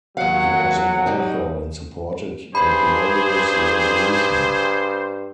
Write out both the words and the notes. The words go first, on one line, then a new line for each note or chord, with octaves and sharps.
He was an author and supported the Glorious Revolution.
D#2 F#3 F5 F#5
F#2 G3 D#4
G2 G#4 C5 B5